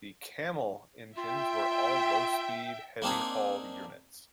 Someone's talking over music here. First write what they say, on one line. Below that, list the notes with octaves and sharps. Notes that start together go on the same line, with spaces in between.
The "Camel" engines were all low-speed, heavy haul units.
F4 E5 G5
A#3 C4 D4 D#4 G#4